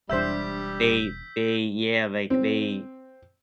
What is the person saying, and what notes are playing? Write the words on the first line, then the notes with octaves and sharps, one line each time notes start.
they they yeah, like, they
E1 G3 D4 C5 E5 E6 G6 B6
C4